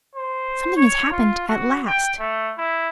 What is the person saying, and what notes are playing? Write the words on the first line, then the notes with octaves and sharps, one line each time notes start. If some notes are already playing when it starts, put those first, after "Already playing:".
Something has happened at last.
C5
C#5
F4
F#4
G5
A3
E4